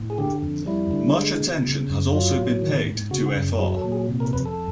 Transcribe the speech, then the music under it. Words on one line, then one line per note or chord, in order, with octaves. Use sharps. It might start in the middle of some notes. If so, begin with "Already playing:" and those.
Much attention has also been paid to fr.
Already playing: A2
G#4
D3 G4
F2
G3 E4
D3
G#3
B2
C#3
F#2
F#3 F4
A2
D#3
G#2
C#3 F#4
F#2
F#3 G#4
A4
A#2
G#4
C3
A#4
F2 B4
A4